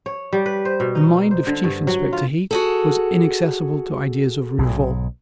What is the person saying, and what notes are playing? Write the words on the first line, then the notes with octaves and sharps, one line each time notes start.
The mind of Chief Inspector Heat was inaccessible to ideas of revolt.
C#5
G3
B4
C5
B2
D#4
C5
D3
G2
F#3
F4
F#4 G#4 A4
B1 G#2